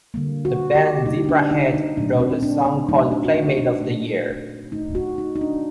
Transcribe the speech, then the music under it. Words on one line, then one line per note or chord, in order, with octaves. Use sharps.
The band Zebrahead wrote a song called Playmate of the Year.
D3 G3 A#3
F#4
G4
D3 G3 A#3 D#4
D#4
D4
D#4
D#4
A#2 F#3 A3 D4
C4
C4
D4
C4
A#2 F#3 A3 D#4
D4
F#4
D#4
D4
A#2 A3
A#2 A3 D#4
F#4
D#4
D#4
D4